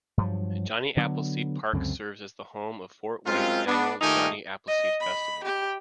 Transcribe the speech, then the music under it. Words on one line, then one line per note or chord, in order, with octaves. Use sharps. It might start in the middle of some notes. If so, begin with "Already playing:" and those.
Johnny Appleseed Park serves as the home for Fort Wayne's annual Johnny Appleseed Festival.
G2 F3 F#3
D3 F#3 B3
C#2 F#2 D3 C4
F#2 G#3 C4 F4
B3 D4
A#2 D#3 A3 D#4 G4 G#5
D#5
B5
G4